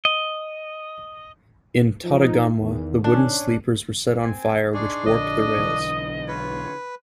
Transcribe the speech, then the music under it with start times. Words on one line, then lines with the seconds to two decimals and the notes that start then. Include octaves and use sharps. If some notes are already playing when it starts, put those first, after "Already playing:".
In Totagamuwa, the wooden sleepers were set on fire which warped the rails.
0.05 D#5
2.04 F3 D#4
2.60 E2 D#3
3.04 C#4 D4
4.23 C4 G#5
4.74 D4 D#4 G#4 C6 C#6
5.06 A#1 D3 D#5 D#6
5.57 B1 D3 E3
6.28 E2 F4 B4 C#5